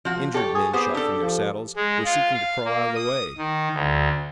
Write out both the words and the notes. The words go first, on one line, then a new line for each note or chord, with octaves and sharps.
Injured men, shot from their saddles, were seeking to crawl out of the way.
F3 F#4
G4 A4 C#5
G#4
B3 G4 G#4 C5
D4 G4 A4
F3
G#3
F4
F5
A#3
D#6
D#3
D2